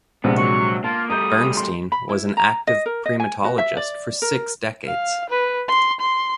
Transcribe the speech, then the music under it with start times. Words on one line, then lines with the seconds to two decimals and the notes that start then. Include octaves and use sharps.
Bernstein was an active primatologist for six decades.
0.24 A#1 C3 G#3 B3
0.38 F#3 C#6
0.84 A#3 F4 A5
1.10 G3 A3 A#5 D#6 G6
1.57 C6
1.92 B5
2.09 E4
2.37 A#5
2.67 D#5
2.86 A#4
3.06 D#5
3.20 G#5
3.44 F#4
3.58 E5
3.77 D5
4.22 A#4
4.87 F5
5.30 B4
5.69 C6
6.00 C6